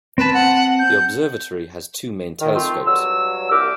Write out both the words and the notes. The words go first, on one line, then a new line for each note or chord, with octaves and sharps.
The observatory has two main telescopes.
C4 B4 A5
F#5
G6
D#3
F3 A3 C4 F4
G2 F#3 E6
C2 A#2 G4 A#4 D6